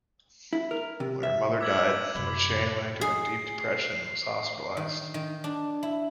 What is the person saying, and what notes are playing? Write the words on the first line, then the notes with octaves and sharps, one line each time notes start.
When her mother died O'Shane went into a deep depression and was hospitalised.
E4
A#4
C3
E5
E5 D6 G#6 F#7
F#2 C3 B5
G#4 C7
D#3
D#3
D4
E4